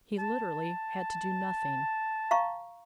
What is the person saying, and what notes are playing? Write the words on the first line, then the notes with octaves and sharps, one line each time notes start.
He literally had to do nothing.
A5
F5 A#5 C#6